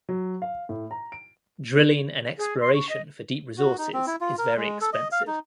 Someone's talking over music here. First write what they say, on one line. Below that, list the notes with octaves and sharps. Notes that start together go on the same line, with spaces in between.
Drilling and exploration for deep resources is very expensive.
F#3
F5
A2
A#5
D7
G#4
C6
C#6
D#5
F#4
D#4
C4
E4
F4
A#4
G#3
A4
D#5
F5
D#4